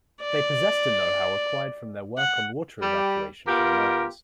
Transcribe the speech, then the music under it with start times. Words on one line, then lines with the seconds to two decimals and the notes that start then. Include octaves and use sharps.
They possessed a know-how acquired from their work on water evacuation from mines.
0.22 D5
2.18 F#5
2.81 G3 G4
3.47 B3 F4 G4 A#4